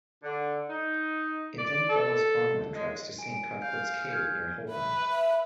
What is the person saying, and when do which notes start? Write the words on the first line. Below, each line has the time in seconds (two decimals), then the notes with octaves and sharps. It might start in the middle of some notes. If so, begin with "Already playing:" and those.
It then follows farmland tracks to Saint Cuthbert's Cave near Holburn.
0.24 D3
0.70 D#4
1.59 D5
1.90 A4
2.75 G#3
3.19 G#5 D7
3.62 F5 G6
4.09 F6 G6 G#6
4.71 B4 E5
5.11 E5